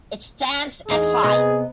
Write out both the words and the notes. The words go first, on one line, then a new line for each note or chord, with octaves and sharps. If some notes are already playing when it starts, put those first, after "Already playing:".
It stands at high.
E2 D#4 G#4
C3 B3 D#5